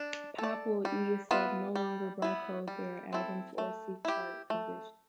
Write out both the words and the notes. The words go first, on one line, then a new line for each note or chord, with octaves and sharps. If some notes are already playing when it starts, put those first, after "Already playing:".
Pop Will Eat Itself no longer barcode their albums or seek chart positions.
Already playing: D4
A4
D5
G3
B3 F4 B4 E5
G3
B3 E4
G3
C4 E4 A4
A3
E4 G4
A3